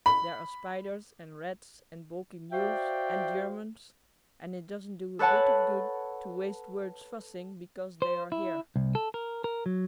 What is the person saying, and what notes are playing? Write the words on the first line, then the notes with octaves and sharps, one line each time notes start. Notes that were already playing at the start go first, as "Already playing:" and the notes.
There are spiders, and rats, and balky mules, and Germans, and it doesn't do a bit of good to waste words fussing because they are here.
B5
F#4 C5 D5 E5 F5 G5
A4 B4 C#5 F#5 A5
C5
E4
C2
A4
A#4
A#4
F#3